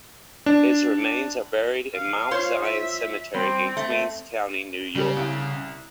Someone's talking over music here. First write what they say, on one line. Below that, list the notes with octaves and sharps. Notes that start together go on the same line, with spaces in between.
His remains are buried in Mount Zion Cemetery in Queens County, New York.
D4
F5
F4 C5 C#5
E5
G3 C4
A3
C#3 G3
C2